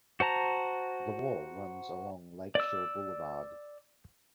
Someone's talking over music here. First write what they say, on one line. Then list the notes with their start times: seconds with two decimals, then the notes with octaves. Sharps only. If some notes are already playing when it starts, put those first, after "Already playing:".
The wall runs along Lakeshore Boulevard.
0.20 F#4 C5 A5 A#5
2.55 D5 E6